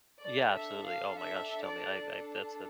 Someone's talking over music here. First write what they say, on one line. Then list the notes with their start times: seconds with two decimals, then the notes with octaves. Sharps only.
Yeah, absolutely, oh my gosh, tell me I I that's a
0.23 D4 A4 D5
0.56 E5
0.87 F5
1.18 E5
1.65 D5